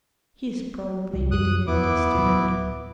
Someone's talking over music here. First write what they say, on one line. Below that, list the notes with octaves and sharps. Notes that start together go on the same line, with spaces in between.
He's probably a divinity student.
C2 G3
F#2 D#6 F#6
E2 B3 E4 D6
D1 F#3